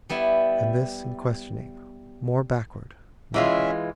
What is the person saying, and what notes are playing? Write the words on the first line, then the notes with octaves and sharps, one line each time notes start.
And this in questioning more backward made me.
G3 B3 E4
E3 G#3 C#4 F4 E5